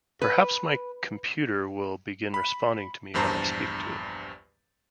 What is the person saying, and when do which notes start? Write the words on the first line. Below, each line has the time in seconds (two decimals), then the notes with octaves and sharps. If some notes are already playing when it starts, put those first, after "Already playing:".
Perhaps my computer will begin responding to me when I speak to it.
0.22 B4
2.34 B5
3.14 A#1 E2 G2 C5 A5 A#5